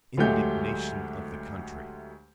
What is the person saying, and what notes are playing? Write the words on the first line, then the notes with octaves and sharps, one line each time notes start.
Indignation of the country....
D2 F#3 G#3 A3 G4 G6